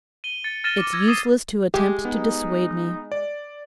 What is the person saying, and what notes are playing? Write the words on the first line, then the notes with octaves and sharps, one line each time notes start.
'It's useless to attempt to dissuade me.'
D#7 G7
A6 C#7
F6 A6 A#6 D#7 E7 G7
D6 C#7
E6 G#6 A#6
D#6 C7 D#7 E7 G7
G#3 G4
B3 D#4
D5